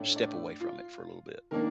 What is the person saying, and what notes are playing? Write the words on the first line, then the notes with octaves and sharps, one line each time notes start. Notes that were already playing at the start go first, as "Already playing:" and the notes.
step away from it for a little bit.
Already playing: A2 A3 D4
D5
F4
D#3 A#3 D4 A#4